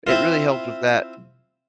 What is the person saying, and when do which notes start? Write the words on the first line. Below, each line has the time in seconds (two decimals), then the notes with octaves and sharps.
it really helped with that.
0.07 C4 E4 F4